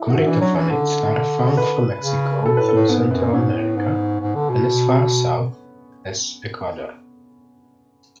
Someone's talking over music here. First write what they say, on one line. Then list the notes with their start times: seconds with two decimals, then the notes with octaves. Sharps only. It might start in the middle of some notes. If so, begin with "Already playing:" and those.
Corytophanids are found from Mexico, through Central America, and as far south as Ecuador.
Already playing: E4
0.09 G#2 F#4
0.18 E4
0.26 E3 D4
0.41 F#3 C#4
0.56 E3 C#4
0.70 D3
1.57 B4
2.02 C#3
2.46 B2 A4
2.57 A2 B4
2.69 A4
2.74 A2
2.89 G#2 B3
3.11 F#2 B3
3.33 G#2 C#4
3.55 A2
3.77 G#2
4.20 G#2
4.35 D3
4.49 B2